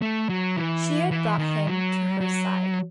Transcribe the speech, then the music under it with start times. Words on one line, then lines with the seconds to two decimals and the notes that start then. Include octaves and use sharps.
She had brought him to her side.
0.02 A3
0.29 F#3
0.57 E3
1.11 E3
1.39 D#3
1.67 F#3
2.21 F#3